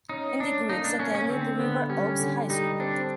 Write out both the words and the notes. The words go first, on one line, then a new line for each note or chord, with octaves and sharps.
Andy Griggs attended River Oaks High School.
C#4 D#4
C#4 D4
A#3 D#4
D4
A#3 C#4
C#4
D3 C4
D3 B3
G3 C#4
D3
G3 D#4
C4 D4